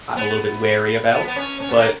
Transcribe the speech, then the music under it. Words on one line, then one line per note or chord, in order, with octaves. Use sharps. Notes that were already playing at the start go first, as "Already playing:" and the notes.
I'm a little bit wary about, but
B3
B3
B3
C#4
C#4
B3
A#3